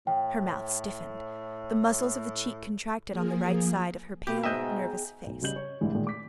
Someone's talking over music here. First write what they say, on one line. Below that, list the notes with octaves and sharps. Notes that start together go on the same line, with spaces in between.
Her mouth stiffened, the muscles of the cheek contracted on the right side of her pale, nervous face.
A2 G5
F3 A#3 G#4
B2 G4
G#2 D#5 E5 G5 F#6 G6
B1
C#3 G3 D#5 G6 F#7
C#5
C2 A2 D3 E3 G#3
A#2 D#3 G#3
D6 B6